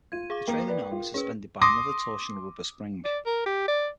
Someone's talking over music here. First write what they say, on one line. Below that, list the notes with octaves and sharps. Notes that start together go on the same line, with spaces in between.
The trailing arm was suspended by another torsional rubber spring.
F4 G#6 D#7
G#4 F5 D6
A#3 A#4 G5
B4 D5
F4
C#4 G#4 B4
C6 D6 D#6 A#6
D5
A#4
G4
D5